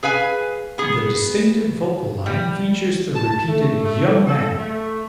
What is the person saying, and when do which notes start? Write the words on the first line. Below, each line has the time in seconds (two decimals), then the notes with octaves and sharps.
The distinctive vocal line features the repeated Young man!
0.03 G#4 B4 F5 G#5
0.78 B3 G#4
2.26 G3
3.15 A5
3.48 A3
3.85 A3
4.26 A4
4.58 A3